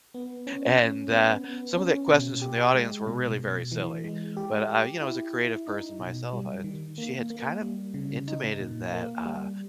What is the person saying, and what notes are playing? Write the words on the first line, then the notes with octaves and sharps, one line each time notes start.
And, uh, some of the questions from the audience were really very silly, but, uh, you know, as a creative person myself, I she had kind of intimated that, uh,
B3
C#4
C#4
B3
B3
C#4
B2
G4
G#3
B2
B2
E3
G#3
G4
G4
E4
E4
D#4
B2
G3
D#3
A#3
A#3
G3
C#3
D#4
A#2
A#3
G3